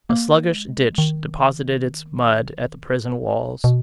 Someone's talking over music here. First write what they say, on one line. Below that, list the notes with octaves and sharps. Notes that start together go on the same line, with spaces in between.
A sluggish ditch deposited its mud at the prison walls.
A#3
G#3
D#3
B2